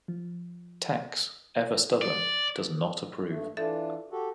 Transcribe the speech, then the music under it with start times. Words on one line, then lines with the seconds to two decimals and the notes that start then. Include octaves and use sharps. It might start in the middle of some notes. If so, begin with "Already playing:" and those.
Tex, ever stubborn, does not approve.
0.08 F3
2.02 D5
3.28 G2 A3
3.57 E3 D4 F4 A4 E5
4.11 F#4 G4 A4